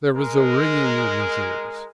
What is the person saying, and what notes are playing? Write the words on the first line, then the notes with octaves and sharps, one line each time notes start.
There was a ringing in his ears.
G#3 A#4